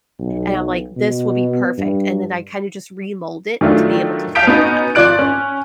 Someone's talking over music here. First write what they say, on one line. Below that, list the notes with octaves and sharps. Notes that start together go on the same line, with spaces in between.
And I'm like, "This will be perfect," and then I kinda just remold it to be able to fit that.
B1
B2
G2
D#3 F#3 A3 D4 F4
F5 A5 D#6 G6 B6 D7
B3 C#4 D#4 F#4 D#5
G#1 F3 D5 F#6 D7
C#4